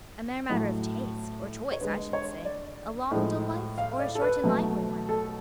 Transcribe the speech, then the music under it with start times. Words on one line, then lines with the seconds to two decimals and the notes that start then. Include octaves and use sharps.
"A mere matter of taste, or choice, I should say--a long dull life, or a short and lively one."
0.49 A2 F#3 A3
1.72 C#5
1.80 D3 G#3 B4
2.13 C#5
2.45 D5
3.11 A2 F3 G#3
3.78 F5
3.99 D5
4.15 A4
4.22 B4
4.44 B2 F#3 A3
5.09 A4